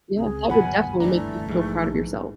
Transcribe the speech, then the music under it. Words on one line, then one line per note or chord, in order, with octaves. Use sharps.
Yeah, that would definitely make you feel proud of yourself.
C#2 G#3 C4 G#4
G1 D#2 G#2 B2 F#3 F#5 G#5 B5
E3 A3 D4 A#5
A#1 G#2 E3